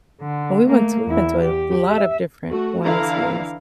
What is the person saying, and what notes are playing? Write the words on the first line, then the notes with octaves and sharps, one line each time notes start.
And we went to we went to a lot of different YMCAs.
D3
A3 A#3
E2 E4
G4
E5
A3 F#4
D3 E3 D4 E4 F5 A#5